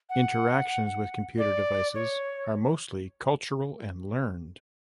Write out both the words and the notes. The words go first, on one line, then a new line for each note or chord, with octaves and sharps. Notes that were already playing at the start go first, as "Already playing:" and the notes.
Interactions with computer devices are mostly cultural and learned.
F#5
D5
C#5